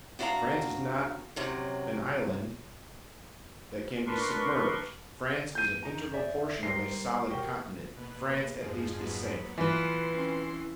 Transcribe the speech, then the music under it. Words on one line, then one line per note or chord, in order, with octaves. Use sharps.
"France is not an island that can be submerged; France is an integral portion of a solid continent. France, at least, is safe."
B3 D4 F#4 E5 F5 A#5
F#2 C3 F#3
D4 A#4 B4 C6 C#6
F2 G6 D#7
D#4 A#5
G#4 D5 E5
G3 D#4 G4 A#4 C5 C7
B2 F3 F#4 G4 A#4
B2 A#3
F2 G#2
F#3 A#3 B3
E3 F4 B4 C6
C4 C#4